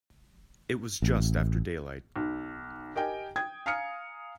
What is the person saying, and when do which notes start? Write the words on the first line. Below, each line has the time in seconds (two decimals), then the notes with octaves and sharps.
It was just after daylight.
1.02 A1
2.16 B1
2.95 G4 A#4 D#5 G5 G#5
3.36 G5 D#6 G#6
3.66 F5 G#5 A#5 D#6 F6 C#7